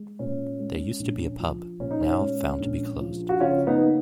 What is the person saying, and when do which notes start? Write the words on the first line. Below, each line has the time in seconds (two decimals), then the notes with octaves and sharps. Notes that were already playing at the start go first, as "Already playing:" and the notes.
There used to be a pub, now found to be closed.
Already playing: G#3
0.19 A#2 C#4
0.59 G#3
0.99 A#1
1.40 F3
1.80 A#2 C#4
1.91 D#4
2.01 C#4
2.20 G#3
2.59 A#1
3.00 F3
3.29 F#4
3.40 C#3 C#4 F4
3.67 B3 D#4
3.81 A#3